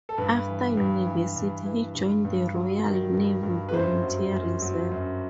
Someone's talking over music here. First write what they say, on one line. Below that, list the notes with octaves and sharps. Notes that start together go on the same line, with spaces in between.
After university he joined the Royal Navy Volunteer Reserve.
A4
G2 B4
E3
G2
E3
G2
E3
G2
G2
F#3
D#3
G2
G2
B4
F#2 C5
F#3
F#2
F#3
F#2